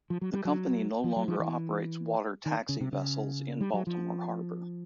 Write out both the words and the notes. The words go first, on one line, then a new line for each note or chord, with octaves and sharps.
The company no longer operates water taxi vessels in Baltimore harbor.
F3
F#3
G3
F#3
F3
F#3
F3
E3
D#3
C#3
C3
C#3
G3
F#3
F3